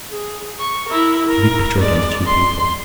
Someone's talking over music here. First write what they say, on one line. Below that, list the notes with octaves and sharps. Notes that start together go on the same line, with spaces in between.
He's very bitter against you people.
G#4
C#6
E4 A#4
A#4
G#3 D5
C6